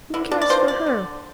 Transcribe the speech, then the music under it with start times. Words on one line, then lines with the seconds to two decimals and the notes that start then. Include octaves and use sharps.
Who cares for her?
0.14 D3 E4
0.32 D4
0.41 D5
0.50 F3 C4 C5
0.68 D5
0.86 D3